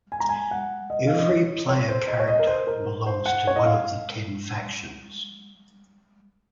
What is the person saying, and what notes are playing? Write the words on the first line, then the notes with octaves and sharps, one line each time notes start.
Every player character belongs to one of the ten Factions.
G#5
A#5
G#5
F#5
D#5
F5
D#5
C#5
C#5
C5
D#5
C#5
D#5
A#4
C5
A#4
C5
F#5
C#5
D#5
F5